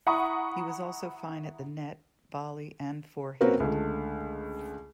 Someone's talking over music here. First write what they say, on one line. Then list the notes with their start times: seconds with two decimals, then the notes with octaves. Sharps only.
He was also fine at the net, volley and forehand.
0.06 E4 F#5 A#5 B5 C#6 D#6
3.41 A#3 C4 C#4 F#4 A#4 B4
3.60 C#2 D3 A3